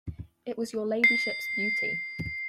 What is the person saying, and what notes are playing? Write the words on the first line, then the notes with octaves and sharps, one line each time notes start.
It was your Ladyship's beauty.
C7